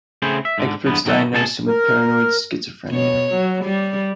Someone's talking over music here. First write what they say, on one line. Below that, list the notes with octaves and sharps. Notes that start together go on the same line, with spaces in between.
Experts diagnosed him with paranoid schizophrenia.
C#3 A3 B3 C4 G#4 C5
E5
G#2 D3
E2 G2 D3 B3
A#2 D#3 F#3 A3 A4
C#2 C3 G#4 A4 A5
A#4
B2 C#5
F#3
G3